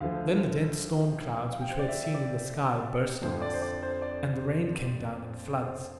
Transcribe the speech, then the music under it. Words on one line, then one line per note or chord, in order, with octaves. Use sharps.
Then the dense storm clouds which we had seen in the sky burst on us, and the rain came down in floods.
D2 D3 F3 F5
F5
G5
C5
D5
E5
E5
D5
F2 D3 F3 C5
D5
C5
D5
C5
D5
C5